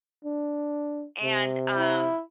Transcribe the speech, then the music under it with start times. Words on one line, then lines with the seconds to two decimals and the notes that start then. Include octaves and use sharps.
and um
0.25 D4
1.23 C3
1.77 E4